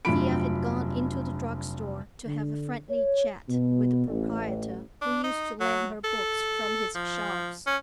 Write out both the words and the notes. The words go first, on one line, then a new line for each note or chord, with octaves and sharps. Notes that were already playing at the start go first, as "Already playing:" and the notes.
Thea had gone into the drug store to have a friendly chat with the proprietor, who used to lend her books from his shelves.
F1 G2 F#3 F4 B5 D7
D3
C#5
B2
A1
D4
D#4
F#3
A4
F3
C#4